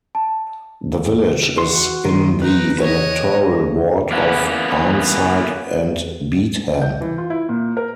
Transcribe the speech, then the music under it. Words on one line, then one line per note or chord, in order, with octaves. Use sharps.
The village is in the electoral ward of Arnside and Beetham.
A5
F#4 C6
D#3 C6
D#4 B4
C#5 D#5
A#3 B3 C#4 E4
G6
E3
F4
E4
A#2
A#4